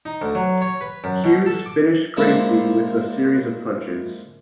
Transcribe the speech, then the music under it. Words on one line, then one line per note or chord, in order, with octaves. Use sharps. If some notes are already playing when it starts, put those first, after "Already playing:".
Hughes finished Gracie with a series of punches.
D#4
D2
F#3
C#5
B4
F#2
B2
A4
D6
F3 G#3 A#3 D4 E4